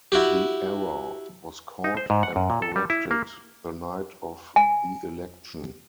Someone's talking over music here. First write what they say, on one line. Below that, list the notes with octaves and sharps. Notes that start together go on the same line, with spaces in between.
The error was caught and corrected the night of the election.
E4 F#4 G4
D#4
C5
G#2
F#5
F#2
A#2
A4
G3
E4
A#3
G#5